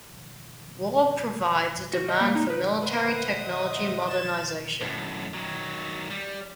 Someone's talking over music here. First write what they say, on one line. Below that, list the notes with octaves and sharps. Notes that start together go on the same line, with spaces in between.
War provides demand for military technology modernization.
F#4
D#5
A#3
D#4
B4
B4 C5 E5 F#5 D#6
D#5
A6 E7
F#2 A2
D#3 F#3
G3